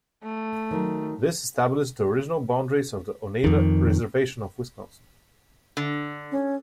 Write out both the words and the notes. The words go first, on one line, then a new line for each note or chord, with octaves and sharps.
This established the original boundaries of the Oneida Reservation of Wisconsin.
A3
D#3 F#3
F2 D#3
D3
C#4